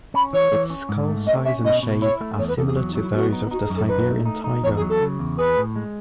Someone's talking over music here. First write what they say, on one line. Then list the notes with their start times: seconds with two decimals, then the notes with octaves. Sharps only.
Its skull size and shape are similar to those of the Siberian tiger.
0.14 C#4 B5
0.33 E3 C#5
0.52 E3
0.70 C#4
0.89 G#2
1.08 A3
1.26 C#4 D#5
1.45 C#4 E5
1.65 B2 D#5
1.83 B2
2.02 E4 C#5
2.21 A3
2.38 E2 C#5
2.48 B4
2.57 E2 A4
2.67 G#4
2.76 F#3
2.89 D#4
2.95 F#3
3.01 E4
3.14 B3 F#4
3.33 D#4
3.51 D#4 F#4
3.63 G#4
3.70 F#2
3.77 A4
3.88 D#4 B4
4.07 A3
4.25 D#4
4.44 D#4
4.63 E2 C#5
4.76 G#4
4.82 F#3
4.89 A4
5.01 C#3
5.19 E2
5.38 G#4 B4
5.57 A2
5.76 G#3